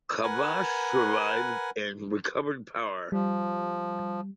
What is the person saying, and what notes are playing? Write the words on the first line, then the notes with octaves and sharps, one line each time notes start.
Chavash survived, and recovered power.
A#4 B4 F#5 G#5
F3 G3